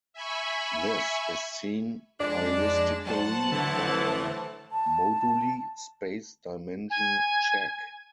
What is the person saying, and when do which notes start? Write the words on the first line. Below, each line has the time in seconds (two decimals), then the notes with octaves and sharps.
This is seen heuristically by a moduli space dimension check.
0.13 E5 G#5 B5 C#6
2.20 F2 G#3 D4 D5
3.06 F#3 C5 F#5 A5
3.52 A2 D3 E3
4.71 A5
6.90 G#5